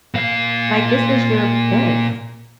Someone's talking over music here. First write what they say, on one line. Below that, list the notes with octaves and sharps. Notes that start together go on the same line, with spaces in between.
Like, this is your best
A#2 F5